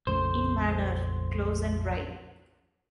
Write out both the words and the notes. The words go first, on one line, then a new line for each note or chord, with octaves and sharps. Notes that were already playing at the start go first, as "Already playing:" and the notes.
In manner: close and dry.
A#1 F2 C#3 A3 C5